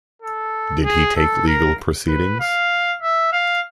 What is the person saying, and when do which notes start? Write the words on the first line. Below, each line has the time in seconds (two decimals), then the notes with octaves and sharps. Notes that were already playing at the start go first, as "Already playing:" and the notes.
Did he take legal proceedings?
0.22 A4
0.84 G#4
1.16 A4
1.47 A#4
2.08 B4
2.40 F5
3.02 E5
3.33 F5